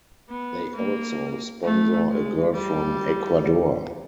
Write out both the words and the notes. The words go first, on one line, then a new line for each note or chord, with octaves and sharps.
They also sponsor a girl from Ecuador.
B3
A#3
A3
G#3
G3